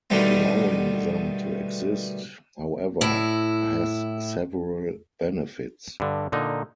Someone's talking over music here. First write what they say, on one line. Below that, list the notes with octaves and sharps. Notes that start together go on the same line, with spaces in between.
Allowing them to exist, however, has several benefits.
B2 D3 D#3 G3 A3 B3
A2 E4
G2 D3
A#2 D3 D#4